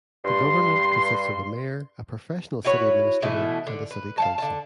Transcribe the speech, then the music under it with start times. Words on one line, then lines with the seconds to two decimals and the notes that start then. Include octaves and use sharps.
The government consists of a mayor, a professional city administrator, and a city council.
0.25 G2 C6
2.64 E4 F#4 B4 C#5
3.22 B2 E3 A3 E4
3.67 D3
3.91 B4
4.18 F5 F#5 A5
4.38 D3 A5